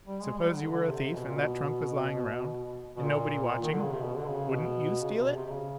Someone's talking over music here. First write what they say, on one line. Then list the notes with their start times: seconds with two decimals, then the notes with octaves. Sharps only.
Suppose you were a thief, and that trunk was lying around and nobody watching--wouldn't you steal it?
0.06 G3
0.23 G#3
0.39 G3
0.56 D3
0.72 D3
0.88 C3
1.06 C3
1.16 B2
1.27 A#2
1.37 B2
2.97 B2
3.04 A#2
3.62 D#3
3.72 D3
3.81 C#3
3.92 C3
4.03 B2
4.17 D3
4.27 C#3
4.53 B2
5.01 C#3
5.13 C3
5.24 B2
5.36 C3
5.47 C3
5.50 C#3